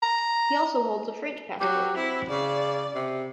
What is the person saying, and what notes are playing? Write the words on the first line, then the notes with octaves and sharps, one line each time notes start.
He also holds a French passport.
A#5
F#3 G4
C4 E4
C#3 D5
C3